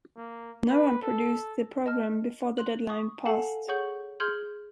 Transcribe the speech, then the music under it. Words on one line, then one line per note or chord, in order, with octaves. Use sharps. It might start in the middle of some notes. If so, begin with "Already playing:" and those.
No one produced the program before the deadline passed.
A#3
B4
A4
D#5 A5 F6
C6 F#6 F#7
C#6 D#6
A4 F5 F#5 G#5 A5
G#4 C#5 F#5 C#6 G6 F#7
G#4 C6 F6 G6 G#6 F#7